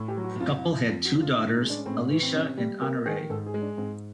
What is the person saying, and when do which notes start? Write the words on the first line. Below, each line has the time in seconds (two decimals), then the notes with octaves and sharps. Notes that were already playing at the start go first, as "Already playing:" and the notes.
The couple had two daughters, Alicia and Honoree.
Already playing: A2
0.08 G4
0.17 F#3
0.24 F#4
0.40 F2 F4
0.57 E4
0.65 F3
0.73 E4
0.89 F2 F4
1.05 F#4
1.13 D3
1.21 F4
1.37 A2 E4
1.48 E4
1.54 D#4
1.61 G#3
1.70 D4
1.78 C#4
1.86 A2 C4
1.94 C#4
2.09 E3
2.23 C4
2.33 C3 C#4
2.57 G3
2.82 A#3 G4
3.06 D#3 G#4
3.30 G#2 A4
3.46 G#4
3.54 G#3
3.62 D4
3.77 G#2 C4